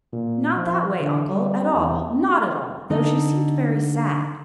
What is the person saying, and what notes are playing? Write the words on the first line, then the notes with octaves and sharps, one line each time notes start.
"Not that way, uncle, at all, not at all, though she seemed very sad."
A#2
F3
D3
G3
E2
D3 D#4 D#5